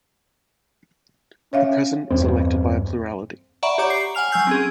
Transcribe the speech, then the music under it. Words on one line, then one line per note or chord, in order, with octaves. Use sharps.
The President is elected by a plurality.
C#4 C#5 E5 F5
E2 G2 C4
D5 E5 F#5 A#5 B5 C#6
G4 C#5 A#5 D6 G6
C7
F#5 G#5 F6 F7
F#3 G#5 E6 G6 C7
C4 C#4 G#4